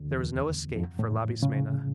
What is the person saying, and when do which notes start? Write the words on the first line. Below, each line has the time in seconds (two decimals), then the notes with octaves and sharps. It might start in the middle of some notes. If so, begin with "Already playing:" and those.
There was no escape for Labismena.
Already playing: D2 D3
0.11 E2
0.76 F2
0.99 A2
1.43 C#3